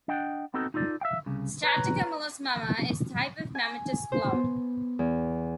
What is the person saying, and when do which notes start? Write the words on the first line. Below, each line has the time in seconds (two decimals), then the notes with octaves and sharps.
Stratocumulus Mamma is a type of mammatus cloud.
0.08 D4 D#5 F#5 G5
0.54 B3 C4 D#4 F#4 A4
0.74 D#4 F4 A4 D5
1.01 E5 F5 G5
1.26 C2 C#3
1.63 B4 C#5 A#5
3.55 G#5
4.12 C5
4.34 B3
4.99 E2